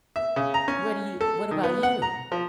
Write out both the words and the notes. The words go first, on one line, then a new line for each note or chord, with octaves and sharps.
What do you what about you?
E5
C#3
A#5
C#4
A4
D#3
B3
F#5
A#5
F3